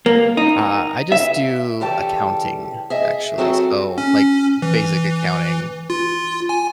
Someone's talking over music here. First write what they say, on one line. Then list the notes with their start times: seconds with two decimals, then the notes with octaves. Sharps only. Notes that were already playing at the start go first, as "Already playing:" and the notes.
Uh, I just do accounting actually, so, like, basic accounting,
0.06 A#3
0.37 D#4
1.12 E5
1.80 C#3 E3 G3 A4 G5 A5
2.90 G#4 D#5 E5
3.38 F#3 C4 F#4 G#4 A4 G5
3.98 C#4
4.62 E3
5.90 F4
6.49 G#5